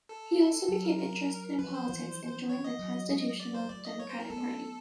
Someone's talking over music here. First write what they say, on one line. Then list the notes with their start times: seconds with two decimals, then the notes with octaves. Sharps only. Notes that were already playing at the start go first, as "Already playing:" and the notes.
He also became interested in politics, and joined the Constitutional Democratic party.
0.09 A4
0.68 F#3 A4
0.85 A#4
0.99 A#4
1.59 F3 B4
1.74 C5
1.89 E3
2.49 C#5
2.64 D#5
2.79 F#3
3.09 G#3
3.40 D5
3.54 C5
3.70 A3 D5
3.85 D#5
4.00 C#5
4.09 C5
4.20 A#4
4.30 A3 B3 A4